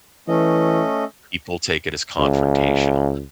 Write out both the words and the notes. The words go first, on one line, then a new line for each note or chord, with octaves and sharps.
people take it as confrontational,
E3 A3 C#4 D#5
C#2